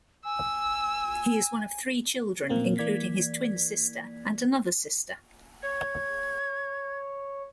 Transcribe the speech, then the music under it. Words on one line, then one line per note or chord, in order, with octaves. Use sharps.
He is one of three children, including his twin sister, and another sister.
G#5 E6
A#2 A#3 C4
E3 A#3 D5 G#6 B6
C#5 G#6